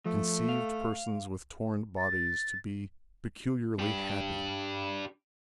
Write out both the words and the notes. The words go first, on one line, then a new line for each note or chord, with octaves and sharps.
He conceived persons with torn bodies to be peculiarly happy.
F3 A3
F5
A6
D4 G4